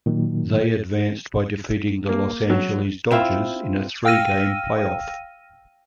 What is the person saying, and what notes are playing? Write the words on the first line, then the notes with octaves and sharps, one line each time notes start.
They advanced by defeating the Los Angeles Dodgers in a three-game playoff.
A#2 D#3 F#3 A#3
A#3
F#3
C4 E4 F4
F5 G5 E6 F6 A#6 D#7